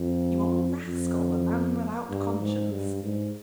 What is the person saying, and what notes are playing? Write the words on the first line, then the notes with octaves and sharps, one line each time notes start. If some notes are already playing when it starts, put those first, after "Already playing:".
You are a rascal, a man without conscience.
Already playing: F2
F2
G2
G#2
G2
G#2